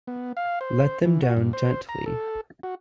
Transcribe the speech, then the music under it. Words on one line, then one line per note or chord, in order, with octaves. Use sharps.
Let them down gently.
B3
F5
C5
E3
F#4
G2
C5
A#5
A4
F#4